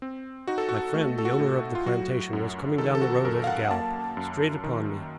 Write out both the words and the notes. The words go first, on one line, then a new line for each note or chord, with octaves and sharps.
My friend the owner of the plantation was coming down the road at a gallop, straight upon me.
C4
D#4 F#4
A4
F#4
A3 F#4
A4
F#4
A2
F4
F#3 F#4
F#2
D#3 A4
A4
F#4
F#2 A#4
F5
F#5
F#5
A#3 A5
F#2
D#3